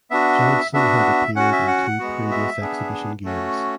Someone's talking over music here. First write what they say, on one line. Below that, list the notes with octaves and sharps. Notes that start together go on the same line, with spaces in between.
Johnson had appeared in two previous exhibition games.
B3 D4 F#4 E5
B3 D4 F#4 E5
C#4 F#4 F#5
E5
F#5
G#3 B3 F#4
E5
B3 D4 G#4
A3 C#4 F#4